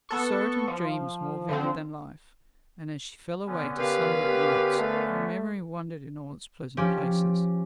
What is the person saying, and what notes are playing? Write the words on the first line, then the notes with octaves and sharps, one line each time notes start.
She saw it in dreams more vivid than life, and as she fell away to slumber at nights her memory wandered in all its pleasant places.
B3 A4 C#6
F3
D3 F3 C4
D3 B3 C#4
G4 A#4 B4 F5
G4
A3
F3 C#4 G4